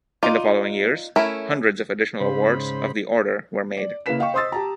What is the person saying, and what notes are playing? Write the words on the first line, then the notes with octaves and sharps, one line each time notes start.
In the following years hundreds of additional awards of the Order were made.
D#4 F4 D5
A3 C#4 E4 A#4
G#2 C#3 C5 B5
D5
C#3 A#3 E4 B4 B6 E7
D#5 F5 G5 C#6
C5 D#5 C6 D#6 E6 A6
G4 A5 A#5